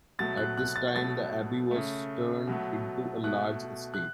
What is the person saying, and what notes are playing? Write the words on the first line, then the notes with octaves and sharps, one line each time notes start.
At this time, the abbey was turned into a large estate.
B2 F#3 A3 A6
F#6
F#6
A6
B2 F#3 A3 A6
C#3 A3
B2 F#3 A3
B2 A3 F#6
F#6